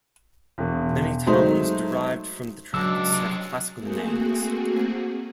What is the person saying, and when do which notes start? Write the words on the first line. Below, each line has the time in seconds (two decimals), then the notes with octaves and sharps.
Many towns derived from the tracts have classical names.
0.58 E1 B2
1.27 F#3 G#3 A3 D#4 C5
2.74 C#2 F#3 D4 E6
3.12 C3 G#3
3.75 A3 A#3 C4 F#4 G#4